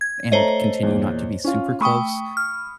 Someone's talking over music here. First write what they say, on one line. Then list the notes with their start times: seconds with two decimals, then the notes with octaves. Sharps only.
and continue not to be super close.
0.01 G#6
0.32 A3 A4 C5 C#5 D#5 A#5
0.83 E2 A#2
1.44 C#4 F4
1.81 A3 G5 B5 C#6 D#6
2.37 F6